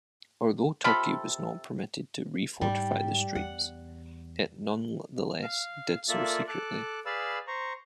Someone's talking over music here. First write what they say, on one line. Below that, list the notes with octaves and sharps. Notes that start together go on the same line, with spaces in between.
Although Turkey was not permitted to refortify the Straits, it nonetheless did so secretly.
C3 F4 A4 B5
G#2 G3
E2 F#5
F5
A#3 F4 A4 D5 E5
A4 D6 F#6
G#4 B4 D5 F5 B5 E6
C5 A#5 C#6